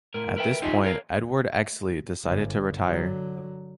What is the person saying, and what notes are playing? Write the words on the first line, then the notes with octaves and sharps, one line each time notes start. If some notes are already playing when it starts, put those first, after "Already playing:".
At this point Edward Exley decided to retire.
A2 A#4
A#4 B4 E5 G5
D#4 F4 G4 G#4 D#5 E5
A#4 C#5 F5
G1 D3
D3 F#3